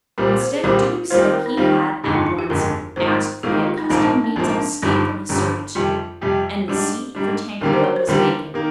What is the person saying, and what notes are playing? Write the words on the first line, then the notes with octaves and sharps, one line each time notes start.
Instead of doing so he had at once asked for the accustomed means of escape from his servitude, and the seat for Tankerville was vacant.
C2 A#2 G3 C4 A#4
C5
G#4
C2 A#2 G3 C4 A#4
D#2 D#3 G3 C4 F4 C5
A#4
D#4
D#2 D#3 G3 C4 D#4 F4
G1 F2 D3 G#3 D#4
F4
F4
G4
G1 F2 D3 G#3 A#4
G#1 G#2 D#3 A#3 F4 C5
G#1 G#2 D#3 A#3 F4 G#4
G4
F4
D#4
A#1 G#2 F3 A#3 D#4
D4
D4
A#1 G#2 F3 A#3 C4
D4
G1 G2 D3 F3 D#4
G1 G2 D3 F3
F2 C3 G3 F4
F2 C3 G3
G#2 G3 D4 G4
G#2 G3 D4
D#2 D3 G3 A#3 A#4
C5
A#4
C5
D#2 D3 G3 A#3 A#4
D#3 A#3